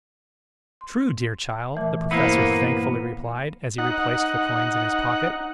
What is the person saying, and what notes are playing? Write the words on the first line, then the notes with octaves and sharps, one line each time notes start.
"True, dear child!" the Professor thankfully replied, as he replaced the coins in his pocket.
C6
A#2 E3 A3
G2 A#3 B3 E4 C5
A#2
D#4 F#5